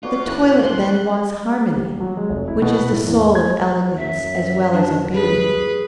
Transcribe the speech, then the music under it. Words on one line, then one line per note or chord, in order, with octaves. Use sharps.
The toilet then wants harmony, which is the soul of elegance as well as of beauty.
A3 B3 D4 F4 F#4 C#5
A#2 E3 C#4 E4 A4 F#6
C6 F#6
G3
F#3
G#3
F1
E4
B2
B4
A2
E2
G#6
F#2 E5
D4
G#4 B4